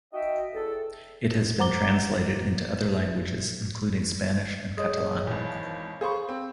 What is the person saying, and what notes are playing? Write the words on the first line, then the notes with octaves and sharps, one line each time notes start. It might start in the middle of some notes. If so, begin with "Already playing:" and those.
It has been translated into other languages including Spanish and Catalan.
D#4 F#4 D#5 E5 G5
E2 A4
C5 F#5 A#5 D6 G7
G#3 C#5 D#5 D#6
G#1 E2
G#4 C5 F5 B5 C#6
C4